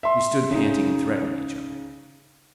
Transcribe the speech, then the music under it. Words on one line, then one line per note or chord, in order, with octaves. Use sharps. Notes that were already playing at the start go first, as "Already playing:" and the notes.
We stood panting and threatening each other.
E5 C6
C#3 D#4